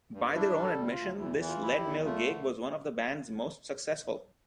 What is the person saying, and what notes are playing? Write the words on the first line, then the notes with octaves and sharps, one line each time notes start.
By their own admission this Leadmill gig was one of the band's most successful.
G2
D4 E4
G3
A4
D2
F4
D2
E2 E4
E3
F4
E4
G4
E2
A3 F4
D3